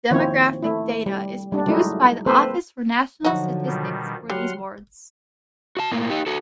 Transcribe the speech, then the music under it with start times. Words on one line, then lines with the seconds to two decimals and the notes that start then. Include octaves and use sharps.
Demographic data is produced by the Office for National Statistics for these wards.
0.11 D#3 F3 A#3 C4 E4 C#5
0.62 A3 E4
1.06 G3
1.52 G3 D4
1.66 F#3 G#3 A3 D#4 E4
2.26 A#3 C4 A4 B4 C5
3.25 D3 F3 F#3 D#4 F#4
3.66 B2 D#3 G3
4.30 F#3 G3 F#5 C6 F6
5.77 F#4 A5
5.92 A2 A#3
6.10 D#4 G4
6.27 F#4 A4